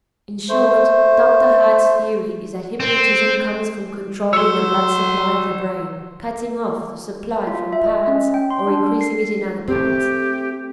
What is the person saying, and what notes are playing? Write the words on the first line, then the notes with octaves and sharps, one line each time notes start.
In short, Dr. Hart's theory is that hypnotism comes from controlling the blood supply of the brain, cutting off the supply from parts or increasing it in other parts.
A3 C5
C4
F#3 C#5 C6 E6
F4
E5
D#5
C#4
G5
C6
D4
C7
A3 C4 G4